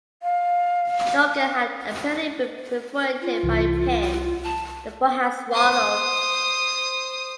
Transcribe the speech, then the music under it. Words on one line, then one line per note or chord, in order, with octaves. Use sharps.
The organ had apparently been perforated by a pin the boy had swallowed.
F5
F4
C2 E3
A5
C5 D#6